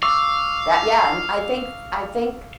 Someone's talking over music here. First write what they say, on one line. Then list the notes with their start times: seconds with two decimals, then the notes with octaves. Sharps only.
that, yeah, and I think I think,
0.03 F5 C#6 D6 E6